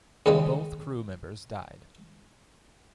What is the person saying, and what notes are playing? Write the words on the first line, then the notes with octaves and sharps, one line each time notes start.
Both crew members died.
D#2 C#3 G3 G#3